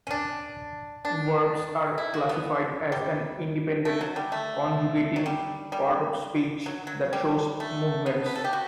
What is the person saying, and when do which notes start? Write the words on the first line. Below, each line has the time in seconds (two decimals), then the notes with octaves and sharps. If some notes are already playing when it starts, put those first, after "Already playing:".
Verbs are classified as an independent, conjugating part of speech that shows movements.
0.07 C#4
0.11 D4
1.05 D4
1.98 E4
2.14 F#4
2.29 B3
2.92 G3
3.85 A3
4.01 F#3
4.16 G3
4.32 A3
5.16 F#3
5.26 G3
5.72 G3
6.66 F#3
6.87 F#3
7.13 G3
7.60 A3
8.06 B3
8.26 B4
8.35 A4
8.44 G4
8.53 F#4